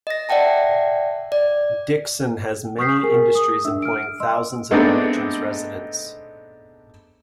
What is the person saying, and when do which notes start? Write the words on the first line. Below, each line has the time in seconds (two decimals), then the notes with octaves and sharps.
Dixon has many industries employing thousands of the region's residents.
0.07 D#5 A#6
0.29 D5 E5 F#5 G5 A5
1.32 D5
2.79 C#6 D#6 F6 G6 B6 C7
3.03 G#4 A#4 G#5
3.35 D#6
3.65 D4 E5 E6
3.82 F6 D7
4.20 D#5 C6 E6
4.71 G#3 A3 B3 C4 D4 D#4